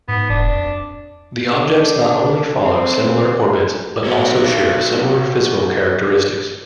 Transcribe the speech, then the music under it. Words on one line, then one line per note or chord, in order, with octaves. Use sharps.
The objects not only follow similar orbits but also share similar physical characteristics.
G#2 B3
E1 D4
F2
D4 A4
C4
F#3 B3